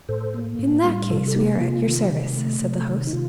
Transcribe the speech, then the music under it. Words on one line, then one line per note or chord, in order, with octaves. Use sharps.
"In that case, we are at your service," said the host.
A2 A4 C5
A#3
A2
G3
C3 F4 A4
A4
A#3 D#4 G4
C3 F4
D#3
C3
A3
C3
D#3
D#4
C3 F4